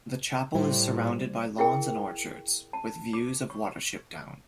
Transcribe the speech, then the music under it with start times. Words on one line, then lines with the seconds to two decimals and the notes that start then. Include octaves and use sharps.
The chapel is surrounded by lawns and orchards, with views of Watership Down.
0.55 A2 G3 G4 C5
1.58 E4 G#4 A#4 G5
2.73 A5
3.13 D6
3.50 C#6